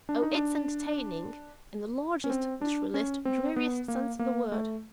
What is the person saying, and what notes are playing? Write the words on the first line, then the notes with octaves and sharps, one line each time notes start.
Oh, it's 'entertaining' in the largest, literalist, dreariest sense of the word.
D4
D#4
D4
C#4
C4
D4
C#4
C4
B3
A#3
A#3
A3